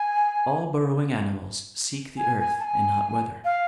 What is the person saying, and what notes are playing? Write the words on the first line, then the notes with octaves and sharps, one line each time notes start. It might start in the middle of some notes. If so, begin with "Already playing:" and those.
All burrowing animals seek the earth in hot weather.
Already playing: G#5
G#5
G#5
A5
G#5
F5